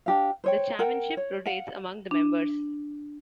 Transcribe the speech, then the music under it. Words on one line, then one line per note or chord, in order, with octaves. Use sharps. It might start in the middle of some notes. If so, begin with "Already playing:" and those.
The chairmanship rotates among the members.
D4 G4 F5
C5 C#5 G5
A#4 F#5 G5
C#5
F5 F#5
D4